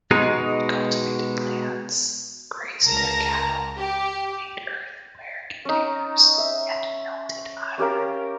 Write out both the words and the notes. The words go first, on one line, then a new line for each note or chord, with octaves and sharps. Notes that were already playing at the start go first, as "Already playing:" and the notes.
They cultivated lands, grazed their cattle, made earthenware containers and melted iron.
B2 G#3 D#4
C#2 A#4 A5 A#5 A#6
G4
C#4 D#4
E5
C#4 G4 A#4 F5